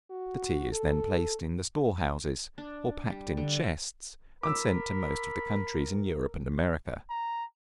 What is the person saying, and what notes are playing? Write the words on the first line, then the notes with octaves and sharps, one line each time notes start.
The tea is then placed in the store-houses, or packed in chests, and sent to most of the countries in Europe and America.
F#4
A4
D4
G3
D3
A#4 B5 D6 E6
A#5